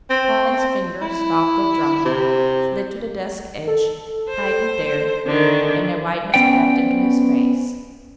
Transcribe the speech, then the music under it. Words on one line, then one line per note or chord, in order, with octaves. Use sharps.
Carling's fingers stopped their drumming, slid to the desk edge, tightened there, and a whiteness crept into his face.
C4
E4
C3
A4
C5
D3 D#3
B3 C#4 C5 D5 G5